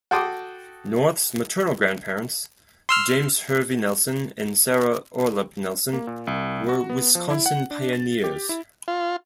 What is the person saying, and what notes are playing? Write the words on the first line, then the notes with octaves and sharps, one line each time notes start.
North's maternal grandparents, James Hervey Nelson and Sarah Orelup Nelson, were Wisconsin pioneers.
F#4 A4 G5 C6 D6 D#6
C6 E6 F6
A#3
A#2
C2
F#4
B3
F3
E4
F#5
D4
A6
G4
E4
F4